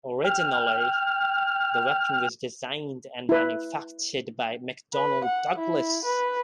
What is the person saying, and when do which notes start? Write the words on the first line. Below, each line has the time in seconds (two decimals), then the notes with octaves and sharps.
Originally, the weapon was designed and manufactured by McDonnell Douglas.
0.24 G5 F6
3.29 E4 B4
4.93 B4
5.24 F#5
5.58 E4
6.05 B4